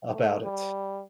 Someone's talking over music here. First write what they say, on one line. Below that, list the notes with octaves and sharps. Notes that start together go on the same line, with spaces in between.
about it,
A3
G3